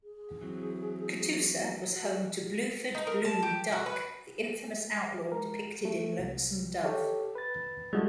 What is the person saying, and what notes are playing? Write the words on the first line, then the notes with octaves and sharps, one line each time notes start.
Catoosa was home to Bluford "Blue" Duck, the infamous outlaw depicted in "Lonesome Dove".
G#4
E3 F#3 C4
F#4 F#5
D#4
A#4
A5
G4
F#4
B4
G#3 A#4
A3
C2
G4 A4 C#5
B4 A6
G3 G#3 E4 F#4 A4